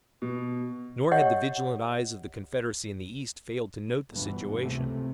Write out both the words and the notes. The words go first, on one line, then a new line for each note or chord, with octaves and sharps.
Nor had the vigilant eyes of the Confederacy in the East failed to note the situation.
B2
G4 C#5 D#5 F#5
G1 D2 G2 B2 E3
C#2 C3 A3